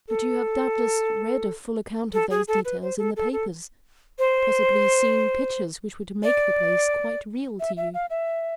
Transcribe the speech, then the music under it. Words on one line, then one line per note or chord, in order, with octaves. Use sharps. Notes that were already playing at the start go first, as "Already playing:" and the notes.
But you have doubtless read a full account of those details in the papers; possibly seen pictures which would make the place quite real to you.
A4
A4
G#4
A4
B4
C5
A4
A4
A4
C5
D5
E5
E5
F5
E5